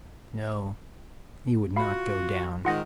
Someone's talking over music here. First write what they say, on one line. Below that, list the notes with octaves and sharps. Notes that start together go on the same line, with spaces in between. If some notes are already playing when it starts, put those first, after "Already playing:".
No, he would not go down.
F4 F#4 F5 B5
G#2 D#3 F4 F#5 A#6